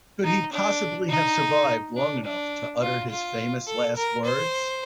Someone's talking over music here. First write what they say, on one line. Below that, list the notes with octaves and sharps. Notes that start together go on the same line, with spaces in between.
Could he possibly have survived long enough to utter his famous last words?
D#4
D4
D#4
D4
D4
F4
F4
A4
A#4
C5